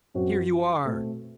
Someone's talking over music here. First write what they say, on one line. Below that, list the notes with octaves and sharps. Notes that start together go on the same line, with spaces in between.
"Here you are!"
F#2 F#3 C4 F#4
B2 A3 C4